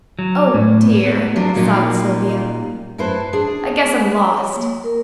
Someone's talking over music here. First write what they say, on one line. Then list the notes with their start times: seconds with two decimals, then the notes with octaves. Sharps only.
"Oh, dear," sobbed Sylvia, "I guess I'm lost."
0.19 F#3
0.54 A2
1.06 B3
1.36 F3 F#3 C4 D4 F4
1.55 A#2 F#3 A#3 C#4 D#4 F4
2.98 F#2 E4 B4 C5 A5
3.33 D4 G#4
4.25 C#5
4.56 A#3
4.84 A#4